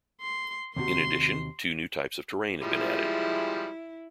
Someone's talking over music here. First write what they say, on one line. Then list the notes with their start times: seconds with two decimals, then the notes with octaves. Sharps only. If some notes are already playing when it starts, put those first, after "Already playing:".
In addition, two new types of terrain have been added.
0.21 C6
0.76 D#2 C3 F#4 C6
2.62 F3 G3 G#3 E4